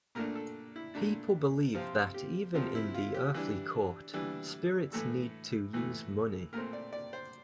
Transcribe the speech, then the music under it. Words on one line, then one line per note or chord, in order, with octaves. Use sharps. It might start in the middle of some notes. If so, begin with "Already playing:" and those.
People believe that even in the earthly court, spirits need to use money.
A#2 A3 D4 A#4
A4
E4
A#2 A3 D4
C3 F3 C4 F4
G4
C3 F3 C4 F4
E4
F4
G4
E3 G3 D4
E3 G3 D4
A2 E3 A3 A4
A2 E3 A3
A#2 A3 C4 A#4
D5
D5
C5